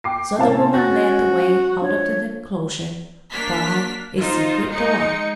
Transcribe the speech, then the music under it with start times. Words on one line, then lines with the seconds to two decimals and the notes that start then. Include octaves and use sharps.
So the woman led the way out of the enclosure by a secret door.
0.04 G5 D6 C7
0.38 A2 C3 C#4 F5 A5
0.74 F#4 A6 A#6
1.82 F3 D4 C#5
3.32 A#3 D4 F6 B6
4.18 D#4 F4 C5
4.70 G#3 D#4 C#7